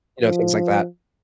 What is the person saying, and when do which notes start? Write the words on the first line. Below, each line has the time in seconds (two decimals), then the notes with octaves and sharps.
You know, things like that.
0.21 F3